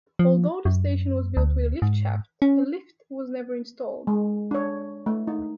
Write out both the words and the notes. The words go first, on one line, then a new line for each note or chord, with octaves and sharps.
Although the station was built with a lift shaft a lift was never installed.
F3
F#2
D2
G#2
C#4
G#3
D4 C#5
A3
D#4